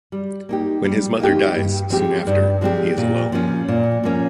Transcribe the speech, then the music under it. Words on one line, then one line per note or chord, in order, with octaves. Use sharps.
When his mother dies soon after, he is alone.
G3
A#3 D#4 G4
G3
A#3 D#4 G4
G2
F3 G#3 C4 G4
G2
F3 G#3 C4 G4
A#2
F3 A#3 C#4
A#2
F3 A#3 C#4